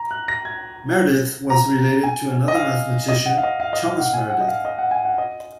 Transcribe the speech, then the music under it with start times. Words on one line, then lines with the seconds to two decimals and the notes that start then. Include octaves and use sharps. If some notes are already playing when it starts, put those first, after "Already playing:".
Meredith was related to another mathematician, Thomas Meredith.
Already playing: A#5
0.11 F#6
0.28 A#6
0.45 G#6
1.50 A#5
2.03 G#5
2.48 D#5
2.55 F5
3.08 D#5
3.26 F#5
3.38 F5
3.43 D#5
3.60 F5
3.73 D#5
3.86 F5
4.00 F#5
4.13 G#5
4.30 F#5
4.41 D#5
4.48 F5
4.65 D#5
4.78 F#5
4.91 G#5
5.05 F#5
5.18 D#5